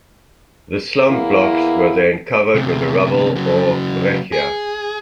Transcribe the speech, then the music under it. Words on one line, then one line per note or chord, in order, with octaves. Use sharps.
The slump blocks were then covered with the rubble or "breccia".
E2 A#3 E4
D2 C3
C#3 F#3
G#4